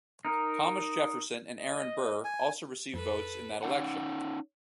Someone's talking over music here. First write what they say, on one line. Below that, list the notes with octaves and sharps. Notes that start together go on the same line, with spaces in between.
Thomas Jefferson and Aaron Burr also received votes in that election.
D#4 A#4
D#5
G#5
F2 A4 B4
C#4 D#4 F#5